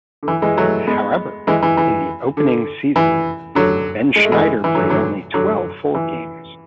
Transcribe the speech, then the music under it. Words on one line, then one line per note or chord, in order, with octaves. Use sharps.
However, in the opening season Benschneider played only twelve full games.
D3
E3
E3 G#3
F#3 A3
G#3 B3
E3 G#3
E3
E3
D3
E3
D3 F#3
G#3
A3
E3 G#3
E3
D3 F#3
D3 F#3
D3 F#3
E3